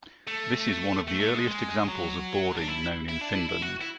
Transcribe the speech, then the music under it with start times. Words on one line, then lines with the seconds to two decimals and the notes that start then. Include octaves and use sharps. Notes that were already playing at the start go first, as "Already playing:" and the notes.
This is one of the earliest examples of boarding known in Finland.
0.27 A3
1.07 A3
1.20 A3
1.34 G#3
1.48 G#3
1.87 F#3
2.57 D4
2.68 E4
3.09 E4
3.21 D4
3.35 E4
3.49 E4
3.62 F#4
3.81 E4